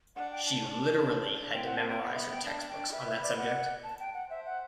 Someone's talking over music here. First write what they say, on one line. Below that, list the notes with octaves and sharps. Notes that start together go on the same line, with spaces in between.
She literally had to memorize her textbooks on that subject.
D4 F#5
G5
A5
D4
C4 G5
F#5
A5
G5
B3 F#5
E5
G5
D4 A5
G5
B4 E5
E5
D5
F#5
A5
G5
F#5
C5 E5
F#5